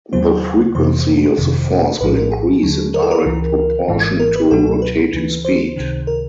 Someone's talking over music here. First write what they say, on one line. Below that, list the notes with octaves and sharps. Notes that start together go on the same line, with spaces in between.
The frequency of the force will increase in direct proportion to rotating speed.
D#2 C#3 F#3 C5
F2 C3 E3 C5
G1 F2 C3 D#3
A#1 A2 F3 B4
A#4
G#4
D#2 D3 F#3
A#4
A4
A#4
C#2 C#3 E3
G#1 G#2 E3
A#4
B4
C#2 B2 F#3 A4
A4
B4
D2 C#3 E3
C5
C#2 C3 D#3
A#4